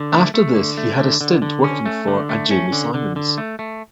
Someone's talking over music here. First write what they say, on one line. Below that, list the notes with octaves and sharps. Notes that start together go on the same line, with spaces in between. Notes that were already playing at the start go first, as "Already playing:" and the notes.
After this he had a stint working for a Jamie Symonds.
Already playing: D3
A3
A3
D3
A3
D3
D3
D3
C#4
A3
D3
A3
C#4
D3
D3
D3
A3
A3